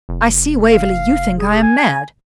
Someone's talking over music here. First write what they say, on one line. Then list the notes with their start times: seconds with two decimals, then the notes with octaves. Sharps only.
I see, Waverley, you think I am mad.
0.09 F1
0.70 F5
1.38 G#4
1.62 G#5